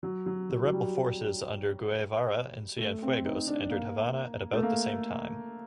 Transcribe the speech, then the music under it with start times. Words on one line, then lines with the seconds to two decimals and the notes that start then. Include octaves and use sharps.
The rebel forces under Guevara and Cienfuegos entered Havana at about the same time.
0.03 F#3
0.26 F#3
0.50 F#3
0.65 F#3
0.73 G3
2.78 A3
3.02 C4
3.25 D#4
3.47 D4
3.70 A#3
4.53 A3
4.63 A#3